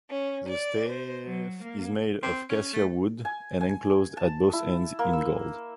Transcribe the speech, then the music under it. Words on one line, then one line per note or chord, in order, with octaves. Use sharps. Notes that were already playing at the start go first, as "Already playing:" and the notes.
The staff is made of cassia wood and enclosed at both ends in gold.
C#4
D5
C5
F#3
A#3
C4
C#4
A3
G#5
G#5
A5
E4
A#3
E6